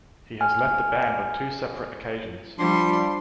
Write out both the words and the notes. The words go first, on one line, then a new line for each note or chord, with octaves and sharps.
He has left the band on two separate occasions.
G#5 F6
F3 G3 D4 C6